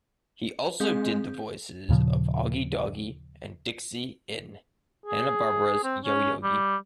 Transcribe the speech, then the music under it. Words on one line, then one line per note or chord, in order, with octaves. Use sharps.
He also did the voices of Augie Doggie and Dixie in Hanna-Barbera's Yo Yogi!
G#3 C4 G#4 G6
D#2 A#2 C#3 F3
G#4
C4
C#4
G3